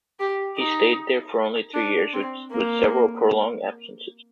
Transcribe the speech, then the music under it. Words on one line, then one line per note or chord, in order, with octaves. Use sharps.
He stayed there for only three years, with several prolonged absences.
G4
D#4
D4
C4
A#3